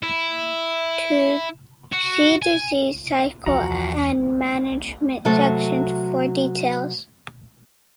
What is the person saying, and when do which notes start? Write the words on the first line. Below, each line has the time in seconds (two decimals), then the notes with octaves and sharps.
See disease cycle and management sections for details.
0.03 E4
1.92 F#4
2.42 G#5
3.46 E2 F3 F#4 A#5
5.25 C3 F#3 A3 A4